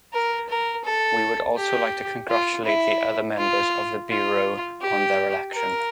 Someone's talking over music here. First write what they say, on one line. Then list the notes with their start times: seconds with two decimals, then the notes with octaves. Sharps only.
We would also like to congratulate the other members of the Bureau on their election.
0.13 A#4
0.49 A#4
0.84 A4
1.56 G4
2.29 F4
2.65 E4
3.37 F4
4.09 F4
4.82 G4
5.54 A#4